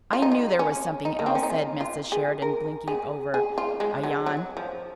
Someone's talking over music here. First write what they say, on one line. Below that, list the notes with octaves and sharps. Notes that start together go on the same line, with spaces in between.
"I knew there was something else," said Mrs. Sheridan, blinking over a yawn.
F4
D#4
F4
C#4
D#4
A#3
C4
C#4
D#4
F4
F4
G#4
A#4
G#4
G#4
F4
G#3
F#3
F#3
F3